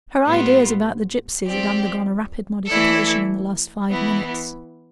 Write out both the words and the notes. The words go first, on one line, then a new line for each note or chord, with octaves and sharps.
Her ideas about the gypsies had undergone a rapid modification in the last five minutes.
A2 G3 B3 F4
F3 C4 G4 D5
E3 A3 E4 A4 D5
E3 B3 E4